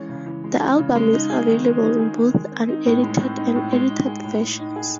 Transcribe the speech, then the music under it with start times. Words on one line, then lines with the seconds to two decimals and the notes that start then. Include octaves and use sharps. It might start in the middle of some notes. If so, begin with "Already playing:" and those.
The album is available in both unedited and edited versions.
Already playing: E3 G#3 C#4
0.09 C#3
0.26 E3
0.44 G#3
0.61 C#4
0.78 C#3
0.95 G#3
1.13 D#4
1.30 G#4
1.47 D#3
1.64 G#3
1.82 D#4
1.99 G#4
2.16 D#3
2.34 G#3
2.52 C4
2.69 D#4
2.86 A2
3.03 G#3
3.21 C4
3.37 D#4
3.55 A2
3.72 G#3
3.90 D#4
4.07 G#4
4.24 A2
4.41 G#3
4.59 D#4
4.76 G#4